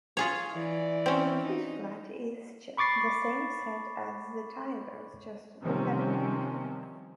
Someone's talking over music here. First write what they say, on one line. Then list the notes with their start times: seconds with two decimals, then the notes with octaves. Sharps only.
Mickey's flat is the same set as the Tyler's, just redecorated.
0.17 F4 G#4 C#5
0.53 E3 D5
1.06 C4 C#4
1.46 D#4
2.77 B5 C#6 D6 A6 C7
5.61 C3 D#3 F3 G3 C4 C#4